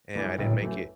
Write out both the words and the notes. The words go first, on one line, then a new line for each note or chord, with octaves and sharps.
and I didn't make it.
G2 E3 A3 E4
G1 A2
F#2 E3 A3